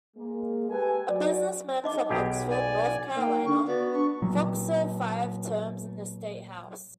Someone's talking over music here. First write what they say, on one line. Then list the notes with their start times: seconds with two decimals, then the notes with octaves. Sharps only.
A businessman from Oxford, North Carolina, Fox served five terms in the state House.
0.17 G#3 A#3
0.69 G4 A4 B4 G#5
1.09 F#3 D5
1.84 D#4 D#5 D6
2.09 B1 G4 G#4
2.50 D5 G#5
3.16 A#3 D#4 G5
3.45 D3 C#6
3.67 B3 F#4 D5
3.93 D4 C#6
4.22 A#2 F#3